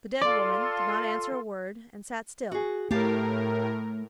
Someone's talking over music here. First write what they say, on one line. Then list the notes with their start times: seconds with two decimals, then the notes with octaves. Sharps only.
But the dead woman did not answer a word, and sat still.
0.22 F4 A4 D5 C6
2.52 F#4 G#4
2.91 A2 A3 G4 A#4 F5 A5